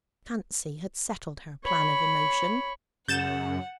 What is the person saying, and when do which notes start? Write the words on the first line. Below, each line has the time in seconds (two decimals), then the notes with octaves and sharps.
Fancy had settled her plan of emotion.
1.64 C#5 B5
3.08 F#2 C#3 F#5 G6 A6 E7